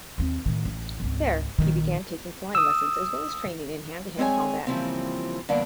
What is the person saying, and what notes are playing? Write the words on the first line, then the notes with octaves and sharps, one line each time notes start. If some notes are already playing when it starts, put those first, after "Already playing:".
There, he began taking flying lessons as well as training in hand-to-hand combat.
D#2 C4
A2 D#3
A1
G#1 C#2
A#1 D#3
D#6 E6
G#3 C4 G#4 C#5 G#5
C#3 E3 F3 G3 A#3 C4
G2 D3 F3 A#3 B3 D4